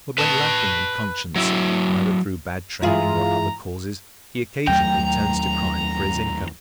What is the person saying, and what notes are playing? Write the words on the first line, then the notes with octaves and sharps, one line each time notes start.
But when lacking in conscience, either through bad training or other causes, he occasionally turns to crime for his income.
B4 A5
F#3 E4
G2 E3 G#3 E4 F4 G#4 A#5
D#2 F#3 A3 G5 A#5